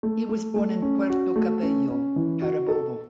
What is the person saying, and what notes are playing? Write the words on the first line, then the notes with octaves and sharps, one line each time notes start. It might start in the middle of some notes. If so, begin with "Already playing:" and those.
He was born in Puerto Cabello, Carabobo.
A3
A3
A3
C#4
F#4
A3
C#4
C#4
E3
F#4
A4